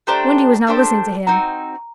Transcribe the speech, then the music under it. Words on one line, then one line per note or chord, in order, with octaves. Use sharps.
Wendy was not listening to him.
A3 D4 G4 C5 A#5
A3 D4 G4 C5
C4 D#4 F#4 A#5